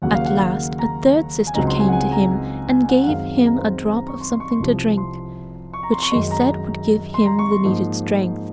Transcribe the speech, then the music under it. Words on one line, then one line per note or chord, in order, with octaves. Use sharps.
At last a third sister came to him and gave him a drop of something to drink, which she said would give him the needful strength.
D#2 C#3 F#3 A#3 F#5
F5
F#5
A#5
G#5
C#2 C#3 F#3 C4 D#4 A#5
C6
G#5
F#5
G#5
A#5
G#5
G#5
F#5
F#5
F#2 D#3 G#3 C4 F5
A#5
C5
A#5
C#6
C6
C6
C#6
C6
C2 C3 F3
C6
C#6
A#5
C6
C#6
F#2 D#3 G#3 D#4 C6
A#5
C6
A#5
C#6
C6
G#2 F3 A#3 D#4